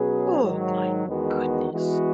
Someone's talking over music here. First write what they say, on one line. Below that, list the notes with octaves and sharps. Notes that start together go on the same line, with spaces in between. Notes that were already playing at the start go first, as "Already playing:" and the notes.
Oh, my goodness.
Already playing: B2 F#3 C#4 G#4 B4
G#2 D#3 F#3
E2 D#3 G#3 B3 F#4
E3 G#3 B3 F#4